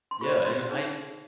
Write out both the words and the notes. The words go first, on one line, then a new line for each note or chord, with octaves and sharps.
Yeah, and I
C6
F4 G#4 C5 C#6
C6
D#4 G#4 C#5